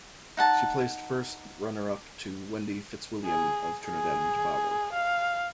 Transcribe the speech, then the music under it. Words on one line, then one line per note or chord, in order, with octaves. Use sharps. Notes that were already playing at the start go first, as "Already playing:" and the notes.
She placed first runner-up to Wendy Fitzwilliam of Trinidad and Tobago.
D#4 F#5 A5
G#4
G#4
F5